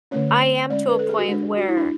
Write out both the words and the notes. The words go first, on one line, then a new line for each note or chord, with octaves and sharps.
I am to a point where
D3 A3 C#4 C#5
G#3 C#4 D5
B4
A4
G#4
F#4
G#3 D4
F#4
E4
D4